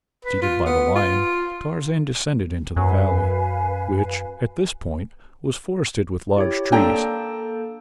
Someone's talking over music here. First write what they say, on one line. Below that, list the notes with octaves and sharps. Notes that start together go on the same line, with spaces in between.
Preceded by the lion Tarzan descended into the valley, which, at this point, was forested with large trees.
B4
F4
B3
F4
F#2 B4 F5 G#5
E4 G4 C#5
A#3 D4 A4 G5 A5 A#5